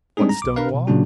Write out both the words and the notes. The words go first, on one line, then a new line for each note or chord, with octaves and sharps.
What stone wall?
G3 G#3 C4 D4 D#4 G#4
A#5
B1 D6
D4 A#4 B4 F5
B2
A#2 C#3 F#3 A#3 D4 F#4